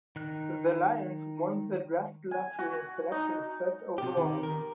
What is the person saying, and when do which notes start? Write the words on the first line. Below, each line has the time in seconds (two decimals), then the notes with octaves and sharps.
The Lions won the draft lottery and selected first overall.
0.16 D#3 D#4 F#6
2.31 G#5
2.59 F#4
3.12 D#4
3.98 C3 G4
4.17 D#3
4.43 A#4